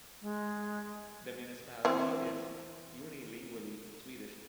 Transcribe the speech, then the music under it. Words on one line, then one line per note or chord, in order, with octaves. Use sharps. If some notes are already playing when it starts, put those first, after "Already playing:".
The municipality is unilingually Swedish.
G#3
E3 C4